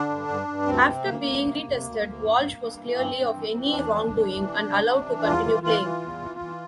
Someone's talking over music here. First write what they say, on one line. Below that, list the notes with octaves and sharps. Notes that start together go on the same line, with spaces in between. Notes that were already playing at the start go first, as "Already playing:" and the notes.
After being retested, Walsh was cleared of any wrongdoing and allowed to continue playing.
Already playing: D3 D4
G2
G2
G2
D2 C4
C3
D2 A#3
D2
C3
C3
D2
D2
G2
G2
G2
E3
G2 C4
G2
E3
E3
E2 D4
E3
E3
E3
C3
C3
C3
E3
E2 F4
E3
E3 F4
E3
E2
E3
E3